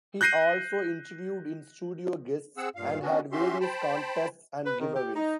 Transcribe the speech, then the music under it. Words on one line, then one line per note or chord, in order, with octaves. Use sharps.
He also interviewed in-studio guests and had various contests and giveaways.
F#6 G6 A#6 C7 D#7
C4 G#4 F#5 E6
G2 A#2 F5
B3 C#4 D4 F#4
C#4 F#4 G4 E5 C6
C5 G5 A5 B5
B4
D#3
G4
D#4